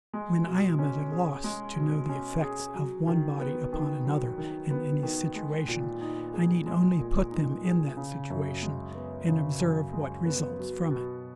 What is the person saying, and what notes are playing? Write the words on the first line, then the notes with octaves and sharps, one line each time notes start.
When I am at a loss to know the effects of one body upon another in any situation, I need only put them in that situation, and observe what results from it.
G#3
B2
C#4
G#4
G#3
B2
C#4
G#4
F#3
D#3
B3
D#3
F#3
D#3
B3
D#3
G#3
A#2
D#4
G#4
G#3
A#2
D#4
G#4
C#3
F#2
G#3
B3
C#3
F#2
G#3
B3
F#3
B2